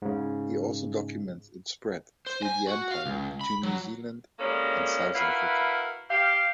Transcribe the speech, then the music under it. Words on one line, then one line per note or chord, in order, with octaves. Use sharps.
He also documents its spread through the Empire, to New Zealand and South Africa.
G#2 C#3
C5
G#5
F#4
F5
C#2
B5
F#3
A2 C3 G3 G#3 A#3 C#4
E4 F#4 A#4 B4 E5 F5
G4 F5